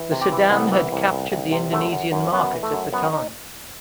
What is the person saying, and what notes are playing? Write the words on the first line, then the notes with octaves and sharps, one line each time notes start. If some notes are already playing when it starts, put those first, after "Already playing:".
The sedan had captured the Indonesian market at the time.
Already playing: E3
C3
G4
E3
C2 B3
E3
C2
C2
C2
C3
F#2 A3
F#2
F#2
F#2 B3
E3
A3
F#2
F#2 B3
D#4